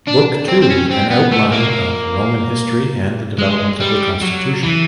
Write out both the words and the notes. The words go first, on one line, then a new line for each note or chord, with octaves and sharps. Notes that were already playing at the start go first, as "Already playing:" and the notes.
Book two: An outline of Roman history and the development of the constitution.
D4
C4
C4
C#4
C4
B3
A3
A#3
G#3
G3
F#3
E3